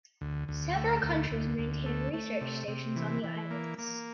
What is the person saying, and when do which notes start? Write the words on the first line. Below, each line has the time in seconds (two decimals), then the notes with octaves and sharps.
Several countries maintain research stations on the islands.
0.21 D2
0.49 D2
0.76 A3
1.03 D2
1.31 D2
1.59 D2
1.86 A3
2.13 A3
2.41 C3
2.68 C3
2.96 E3
3.24 E3
3.51 A#3
3.78 A#3